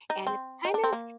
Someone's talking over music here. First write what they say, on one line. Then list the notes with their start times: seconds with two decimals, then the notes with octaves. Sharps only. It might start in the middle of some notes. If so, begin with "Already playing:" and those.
and it's kind of,
0.10 D#4
0.27 C4
0.65 D#4
0.74 D4
0.84 C4
0.93 A#3